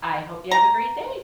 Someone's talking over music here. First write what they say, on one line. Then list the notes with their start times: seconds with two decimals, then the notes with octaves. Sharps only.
I hope you have a great day.
0.51 A#5